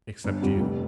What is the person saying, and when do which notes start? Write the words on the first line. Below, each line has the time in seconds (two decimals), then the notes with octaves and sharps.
"Except you."
0.24 G1
0.42 F2 D3 G3
0.60 F1